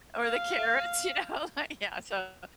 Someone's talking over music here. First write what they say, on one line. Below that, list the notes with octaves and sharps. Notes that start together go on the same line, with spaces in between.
or the carrots, you know, like, yeah, so
F5